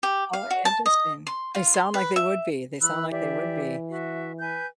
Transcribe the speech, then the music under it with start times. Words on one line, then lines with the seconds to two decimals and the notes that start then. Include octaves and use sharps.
how interesting, they sound like they would be they sound like they would be,
0.03 G4
0.33 F5
0.51 F#4
0.65 A5
0.86 D#5
1.27 C6
1.55 F4
1.74 C6
1.94 B4
2.16 E5
2.81 E3 B5 E6 F#6
3.11 G4 D5 E5
3.89 F#4 E5
4.40 B4 G#5 G6